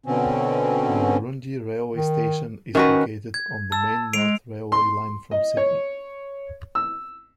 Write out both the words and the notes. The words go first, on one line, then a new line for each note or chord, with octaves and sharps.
Murrurundi railway station is located on the Main North railway line, from Sydney.
B2 D3 C4 C#4
D#3
D#3 C#4 F#4 B4
G#6
A5 E6
G#3 C7 D7 F7
C6
D#5
C#5
E6